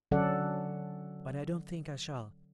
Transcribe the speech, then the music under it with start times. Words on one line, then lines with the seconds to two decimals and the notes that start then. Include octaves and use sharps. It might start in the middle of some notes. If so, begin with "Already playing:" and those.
But I don't think I shall.
0.11 D3 F#3 C#4 A4 D5 F#5